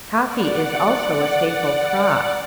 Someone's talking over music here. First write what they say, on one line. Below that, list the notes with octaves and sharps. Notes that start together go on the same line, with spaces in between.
Coffee is also a staple crop.
D5 F#5